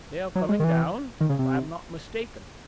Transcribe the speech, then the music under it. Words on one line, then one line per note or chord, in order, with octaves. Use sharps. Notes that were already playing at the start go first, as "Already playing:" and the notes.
"They are coming down, if I am not mistaken."
F#3
G#3
D#3
E3
D#3
C#3
C3